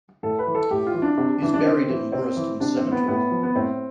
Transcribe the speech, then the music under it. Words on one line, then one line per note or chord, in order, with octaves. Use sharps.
He is buried in Warriston Cemetery.
A2 A4
B4
E3
A4
A2 G4
F4
E3
D4
C3
E3
D4
C3 C4
E3
C3 C4
E3
C3 D4
C4
E3
B3
A2 B3
F3
B3
A2 C4